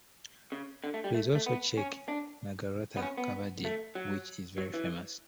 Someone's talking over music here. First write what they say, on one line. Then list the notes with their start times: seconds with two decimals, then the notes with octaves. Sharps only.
Please also check Nagarathar Kavadi which is very famous.
0.52 C#3
0.84 D3
0.94 A3
1.04 G3
1.14 A3
1.35 A3
1.46 B3
1.77 C#4
2.08 D4
2.97 B3
3.03 C#4
3.18 B3
3.65 A3
3.95 F#3
4.58 F#3
4.74 E3